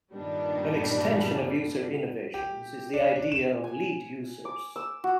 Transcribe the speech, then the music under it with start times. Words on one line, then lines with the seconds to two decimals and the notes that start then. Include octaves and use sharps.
An extension of user innovations is the idea of lead users.
0.13 G2 A#2 D#3 G3 B3 D4
2.34 G4
2.94 D4
3.16 D4
3.32 E7
3.64 G#5
4.45 D6
4.76 E6
5.04 F#4